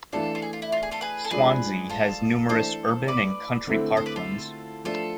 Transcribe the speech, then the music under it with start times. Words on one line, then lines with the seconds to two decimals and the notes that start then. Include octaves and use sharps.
Swansea has numerous urban and country parklands.
0.13 E3 A3 D4 F4 A4
0.35 F4
0.42 G#4
0.53 F4
0.62 E4
0.72 F4
0.83 G#4
0.91 F4 A4
1.01 G#4 B4
1.25 A4
1.30 F3 G#3 D4 G#4 B4
1.89 F4 A4
2.49 E3 A3 D4 A4 C5
3.08 B4 D5
3.67 D3 A3 C4 E4
3.97 A4 C5
4.06 B4 D5
4.16 F4 A4
4.84 F3 A3 D4 F4 A4